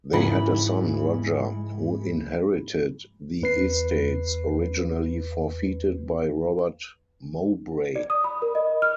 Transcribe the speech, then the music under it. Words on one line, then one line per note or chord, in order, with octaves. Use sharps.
They had a son, Roger, who inherited the estates originally forfeited by Robert Mowbray.
G#2 C#3 E3 F3 G#3 B5
E2 B4 C7
D5
D#6
B5
A#4
D#5
F6